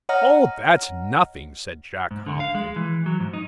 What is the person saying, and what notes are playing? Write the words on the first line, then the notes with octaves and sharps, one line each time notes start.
'Oh, that's nothing,' said Jack Hopkins.
C#5 D#5 F#5 A#5 F6 A#6
G#2
D3
F5
G#3
E3
F#3
G#2
D#4